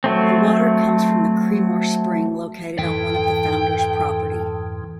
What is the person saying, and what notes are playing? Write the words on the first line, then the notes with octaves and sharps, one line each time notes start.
The water comes from the Creemore Spring located on one of the founder's property.
F#3 A3 C4
F2 G#2 E3 A4 G5